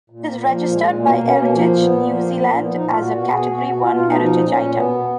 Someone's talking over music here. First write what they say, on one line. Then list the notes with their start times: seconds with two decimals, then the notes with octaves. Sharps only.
It is registered by Heritage New Zealand as a Category One heritage item.
0.10 A#2
0.20 A#3
0.29 A#2
0.46 F3 A#3
0.63 A#2
0.73 G#3
0.82 A#2
1.00 B2 A#3
1.13 B2 A#3
1.26 C#4
1.36 B2 A#3
1.53 F3 A#3
1.72 A#2
1.80 B3
1.90 A#2
2.07 F3 A#3
2.25 A#2
2.33 A#3
2.42 A#2
2.52 A#3
2.60 F3 B3
2.74 A#2 D#4
2.88 F4
2.96 A#2 F#4
3.14 B2 F#4
3.31 B2 G#4
3.50 B2 F#4
3.67 B2 F#4
3.82 F4
3.86 B2
3.94 F4
4.04 B2 D#4
4.21 F3 D#4
4.39 A#2
4.47 C#4
4.57 A#2
4.75 B2 B3
4.92 B2